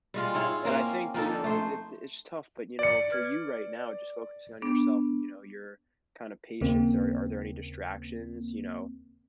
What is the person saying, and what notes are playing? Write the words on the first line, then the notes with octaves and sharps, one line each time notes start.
And I think, you know, it it it's tough, but you know, for you right now, just focusing on yourself and, you know, your kind of patience, are are there any distractions, you know,
G3 G#3 F4
G#2 E4 F4 C#5
A#3 C4 C#4
F3 A#3 D#4 A4
A3 C5
D5 C#7
B4 F6 G#6
B3 D4
D#2 C#3 A#3 C4